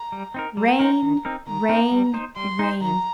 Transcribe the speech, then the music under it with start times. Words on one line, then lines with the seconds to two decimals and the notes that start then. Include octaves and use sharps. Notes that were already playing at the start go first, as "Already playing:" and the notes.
Rain, rain, rain!
Already playing: A#5
0.12 G3
0.34 C4 D#4 A#4
0.57 G3 A#5
0.79 C4 D#4 A#4
1.02 D#3
1.25 C4 D#4 A#4
1.47 D#3 A#5
1.69 C4 D#4 A#4
1.91 G3
2.14 D#4 C5
2.36 G3 C6
2.59 D#4 C5
2.81 D#3 A#5